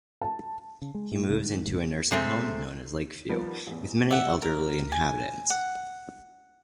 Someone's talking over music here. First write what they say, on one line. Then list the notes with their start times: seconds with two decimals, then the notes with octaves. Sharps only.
He moves into a nursing home known as Lakeview, with many elderly inhabitants.
0.21 A5
0.82 C#3
0.95 G#3
1.12 A2
1.28 C#2 G#2 C#3 A#3
1.42 G#2 D#3
1.66 F1 B1 G#2 C#3
2.11 C3 G#3 A3 C4
3.29 D#3 F3 G3 A#3 B3
3.67 A1 E2
4.11 E5 F#5
4.42 A#4
4.92 G#5
5.50 F#5